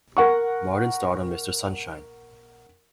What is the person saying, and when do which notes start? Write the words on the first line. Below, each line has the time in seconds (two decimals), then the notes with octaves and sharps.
Martin starred on "Mr. Sunshine".
0.17 A#4 F#5 C#6